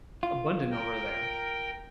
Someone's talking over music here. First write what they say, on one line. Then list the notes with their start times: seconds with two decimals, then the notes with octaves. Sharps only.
abundant over there.
0.23 F4
0.71 A#4 G5